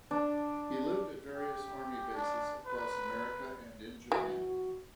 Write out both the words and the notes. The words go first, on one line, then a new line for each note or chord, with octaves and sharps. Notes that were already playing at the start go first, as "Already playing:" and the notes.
He lived at various Army bases across America and in Japan.
D4
G4
D4
B4
E3 F#4